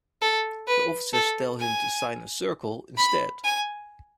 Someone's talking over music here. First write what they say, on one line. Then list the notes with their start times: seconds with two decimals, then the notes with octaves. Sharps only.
The officers tell him to sign a circle instead.
0.21 A4
0.67 B4
1.13 A4
1.60 G#5
2.97 B5
3.44 G#5